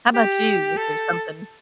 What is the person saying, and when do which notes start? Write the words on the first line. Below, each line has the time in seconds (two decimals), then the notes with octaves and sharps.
How 'bout you? Is there something
0.14 G4
0.77 A4